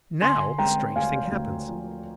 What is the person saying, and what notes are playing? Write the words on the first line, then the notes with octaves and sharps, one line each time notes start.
Now a strange thing happens.
D3 G#5 C6
G#3 G5 A#5
D2 F5 G#5
D2
F3